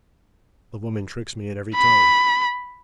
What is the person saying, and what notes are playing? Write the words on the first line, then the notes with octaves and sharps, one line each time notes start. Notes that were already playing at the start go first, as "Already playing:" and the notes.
The woman tricks me at every turn!
B5